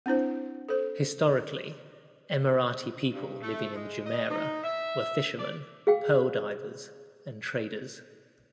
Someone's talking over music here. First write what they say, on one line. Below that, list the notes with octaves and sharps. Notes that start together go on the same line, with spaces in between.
Historically, Emirati people living in the Jumeirah were fishermen, pearl divers and traders.
C4 D4 E4 C5
A4 C5
G2
A3
G#3
D#5
D#4
E5
D5
G#4 F5 G5